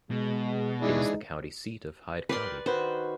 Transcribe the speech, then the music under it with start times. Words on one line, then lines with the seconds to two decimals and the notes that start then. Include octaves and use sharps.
It is the county seat of Hyde County.
0.11 B2 G#3
0.82 E3 G#3 D4 D#4 G#4
2.29 G4 A#4 B4 D5 C6
2.66 D#3 F#4 B4 C5